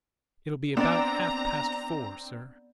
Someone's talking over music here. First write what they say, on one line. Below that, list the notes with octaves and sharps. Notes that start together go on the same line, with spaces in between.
"It'll be about half-past four, sir."
B3 C4 D4 D5 A#5